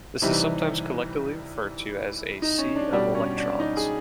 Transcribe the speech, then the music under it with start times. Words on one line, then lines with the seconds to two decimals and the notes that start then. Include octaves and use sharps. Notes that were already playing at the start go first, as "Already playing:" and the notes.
This is sometimes collectively referred to as a "sea of electrons".
0.22 C3 E3 G3 D#4
2.42 D#4
2.58 C#4
2.76 D4
2.92 B2 G3 D4
3.15 C#4
3.37 D4
3.60 D#4
3.77 G#4